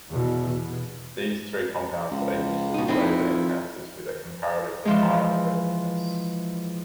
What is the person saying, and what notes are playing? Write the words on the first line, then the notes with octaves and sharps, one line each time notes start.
These three compounds are used as flavor enhancers with a comparatively high effectiveness.
E2 B2
B2
C#2
B2 D#4
F2 C4 D#4 E4
E3 F3 G#3